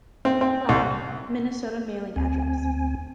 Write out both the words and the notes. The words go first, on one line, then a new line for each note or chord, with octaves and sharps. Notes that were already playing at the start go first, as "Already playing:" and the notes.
Cloud, Minnesota mailing address.
C4
C4
C2
D2 C4 G#5